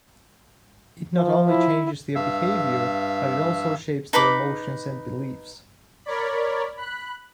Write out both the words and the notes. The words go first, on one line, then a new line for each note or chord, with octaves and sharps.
It not only changes their behavior, but it also shapes their emotions and beliefs.
F3
E4
G2 E5 F5 E6
D#4 B4 B5 D6
A#4 C#5 D5 B5
B5 F#6